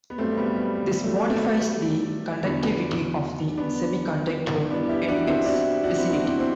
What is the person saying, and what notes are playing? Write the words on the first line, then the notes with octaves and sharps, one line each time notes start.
This modifies the conductivity of the semiconductor in its vicinity.
B3
G2 F#3 A3 C4
G3 B3
G3
G3
F#3 A3
A3
G3 B3
E2 D3 F#3 B3 D4
B3 D4
G2 E3 B3 D4
E4 G4
D4 F#4
C4 E4
D4 F#4
D4 F#4
C4 E4
D4 F#4
C4 E4
C4 E4